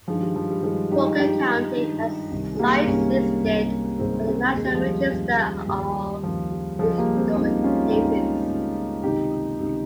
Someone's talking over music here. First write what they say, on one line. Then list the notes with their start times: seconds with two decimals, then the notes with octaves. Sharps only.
Walker County has sites listed on the National Register of Historic Places.
0.07 G2 D#3 F3 G#3
0.21 G3
0.35 F3
0.50 G3
0.63 G2 D#3 F3 G#3
0.91 D#4 G4
1.19 G2 D#3 D#4 G4
1.75 G2 D#3
2.31 C2 C3 D#3
2.55 G#3
2.59 G3 A#3
2.87 C2 C3 D#3 A#3 C#4
3.44 C2 C3 D#3
3.99 C2 C3 D#3 G#3 C4
4.27 G#3 C4
4.55 D#2 C#3 G#3
4.65 G3
4.74 F3 G#3
5.11 D#2 C#3
5.67 D#2 C#3 G3
6.23 D#2 C#3 F3
6.51 G3
6.79 C#2 C#3 F3 G#3
6.98 G3 A#3
7.17 G#3 C4
7.35 C#2 C#3 C4 D#4
7.63 C#4 F4
7.91 C#2 C#3 D#4 G4
8.47 C#2 C#3
9.03 C#2 C3 D#3 D#4 G4
9.60 C#2 C3 D#3